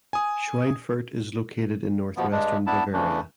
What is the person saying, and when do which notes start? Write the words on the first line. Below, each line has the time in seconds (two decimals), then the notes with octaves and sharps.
Schweinfurt is located in northwestern Bavaria.
0.13 G#5 D#6
2.17 D#2 B2 F3 B3
2.32 G2 G#3 D4
2.67 B3 D4 E4 A5
2.93 C#3 E3 A3 D4